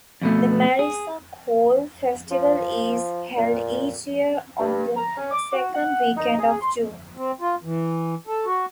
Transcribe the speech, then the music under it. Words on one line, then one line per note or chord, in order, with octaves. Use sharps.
The Marissa Coal Festival is held each year on the second weekend of June.
F2 B2 A3
G#4
F3
A#2
G2
A#5
C#4
D6
F#4
F#5
D#4
G#4
C6
C4
F4
E3
A4
F#4